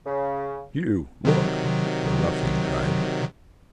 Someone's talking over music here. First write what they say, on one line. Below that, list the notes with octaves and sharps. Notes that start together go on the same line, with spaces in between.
"You, look!" the ruffian cried.
C#3
C3 D#3 F#3